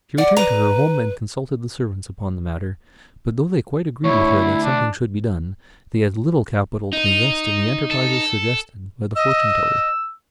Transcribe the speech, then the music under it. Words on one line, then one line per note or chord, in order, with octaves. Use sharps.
She returned to her home and consulted the servants upon the matter; but though they quite agreed with her that something should be done, they had little capital to invest in the enterprises suggested by the fortune-teller.
D5 F#5
B4 A#5
D2 E4 C#5
D4
D#4
A4
D#5 E6